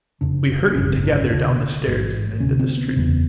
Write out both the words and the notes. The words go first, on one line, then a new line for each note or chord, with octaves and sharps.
We hurried together down the stairs and into the street.
F#1 F2 C#3 D4
D4
G#1 F#2 C#3 C#4
C4
D4
C#4
D2 C3 D4
A1 G#2
D2 C3 C#4
C4
B3
C4
F#1 E2 C#3 B3